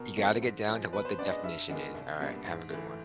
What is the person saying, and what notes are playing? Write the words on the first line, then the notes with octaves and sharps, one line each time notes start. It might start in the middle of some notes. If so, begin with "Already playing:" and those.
You gotta get down to what the definition is, aright, have a good one.
Already playing: B2 A#4
F#3 A3 C4
G#2
F3 G#3
B2 B4
C5
G#3 B3 D4 D5
D#5
G2 E5
D#3 G#3 B3 D4
C2
A#2 G3 B3 D4
G#2
E3 A3